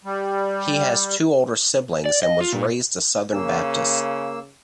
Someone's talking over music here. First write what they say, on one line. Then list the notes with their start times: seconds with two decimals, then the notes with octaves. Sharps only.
He has two older siblings and was raised a Southern Baptist.
0.05 G3
2.06 D5
2.23 D#5
2.41 F4
2.53 A#2
3.33 C#3 A#3 E6